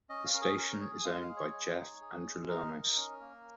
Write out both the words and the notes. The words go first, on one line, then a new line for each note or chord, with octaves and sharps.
The station is owned by Jeff Andrulonis.
C#4 D#5
F5
C#4 A#4
G#4
C#4 A#4
A#4
G#4 C#5
G#5
G#3 F5
F5
G#4
C#5
G#3
D#4
G#4
G#3
D#4 A#4
D#4
C#4
A#3